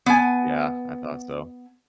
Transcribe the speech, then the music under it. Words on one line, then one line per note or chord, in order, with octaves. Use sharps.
Yeah. I thought so.
B3 G#5